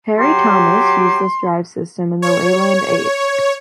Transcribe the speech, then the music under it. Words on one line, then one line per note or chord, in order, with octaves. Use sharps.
Parry-Thomas used this drive system in the Leyland Eight.
F#3 G4 C6
C#5